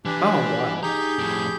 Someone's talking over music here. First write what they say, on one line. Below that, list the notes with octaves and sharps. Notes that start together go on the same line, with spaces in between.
Oh, wow.
E3 D4 G4
D#4 G4 G#4 A#5 G6
F2 A2